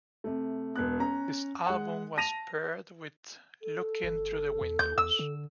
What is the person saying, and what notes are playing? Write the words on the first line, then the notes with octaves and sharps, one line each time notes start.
This album was paired up with "Lookin' Through the Windows".
C3 A3
E1 B3 F#6
C#4 A#5
G#3 F#5
A5 A#6 D#7 F7
A4
G1
E2
D#2 G6
E2 E6
D3